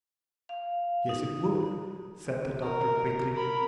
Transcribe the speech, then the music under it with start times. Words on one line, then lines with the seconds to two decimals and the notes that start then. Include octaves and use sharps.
"Yes, it would," said the Doctor quickly.
0.49 F5
1.09 D#4
2.62 A#4
3.33 A#4 B5